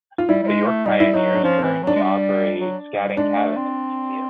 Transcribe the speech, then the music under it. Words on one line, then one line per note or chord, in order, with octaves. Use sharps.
The York Pioneers currently operate Scadding Cabin as a museum.
F4
G3 E4
G3
G#3
A3
G3 D#4
E4
F#3 D#4
D4
F3 C#4
E3 C4
F#3 D4
G#3
G3
F#3
G3
G#3 D4
A3
C4